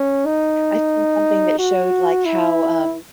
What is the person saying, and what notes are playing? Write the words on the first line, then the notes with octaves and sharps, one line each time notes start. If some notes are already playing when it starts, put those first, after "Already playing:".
I think something that showed, like, how, um,
Already playing: C#4
D#4
F#4
E4